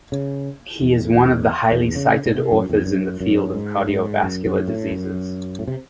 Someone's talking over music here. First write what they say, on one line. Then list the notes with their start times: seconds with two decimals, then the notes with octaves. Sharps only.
He is one of the highly cited authors in the field of cardiovascular diseases.
0.12 C#3
0.81 E2
1.15 E2
1.72 E2
1.95 C#3
2.26 A2
2.35 C3
2.52 F#2
2.69 E2
2.86 F#2
3.20 F#2
3.54 G#2
3.89 G#2
4.23 F#2
4.46 F#2
4.68 A2
4.91 F#2
5.59 A2
5.67 C3